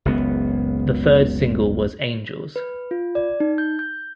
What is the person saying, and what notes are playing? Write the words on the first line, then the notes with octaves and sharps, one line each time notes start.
The third single was "Angels".
F#1 C#2 B3
B4
F4
D5
D#4
G6
G6